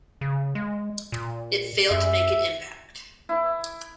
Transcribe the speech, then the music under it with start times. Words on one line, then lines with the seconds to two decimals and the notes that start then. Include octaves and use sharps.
It failed to make an impact.
0.21 C#3
0.55 G#3
1.12 A#2
1.91 F#2 E5
3.29 E4